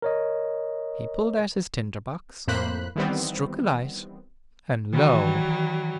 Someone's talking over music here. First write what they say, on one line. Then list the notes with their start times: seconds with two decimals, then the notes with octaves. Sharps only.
He pulled out his tinder-box, struck a light, and lo!
0.02 A#4 C#5 D#5
2.47 F2 A2 A#3 C5 B5 F#6
2.95 D#3 E3 G3 B3 C4
4.93 D#3 E3 F#3 G3